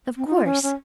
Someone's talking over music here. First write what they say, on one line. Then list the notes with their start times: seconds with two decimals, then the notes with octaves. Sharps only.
"Of course!"
0.17 C4
0.27 D#4
0.35 F4
0.44 C#4
0.63 C#4